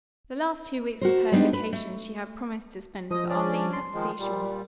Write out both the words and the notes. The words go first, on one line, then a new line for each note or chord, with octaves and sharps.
The last two weeks of her vacation she had promised to spend with Arline at the sea-shore.
F#4 A#4 C5
G3 G#3 B3 D4 D#4
B4
A3
F3 D#5 D#6
C#4 D4 D5
C6
D#3 F3 G#3
A#2 G3